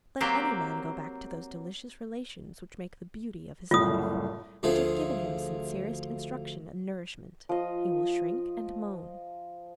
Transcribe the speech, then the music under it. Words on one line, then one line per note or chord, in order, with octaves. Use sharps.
Let any man go back to those delicious relations which make the beauty of his life, which have given him sincerest instruction and nourishment, he will shrink and moan.
F#3 A#3 C4 G4
F#1 C2 A2 F4 D#6
D2 F3 A3 F4 G#4
F3 D#5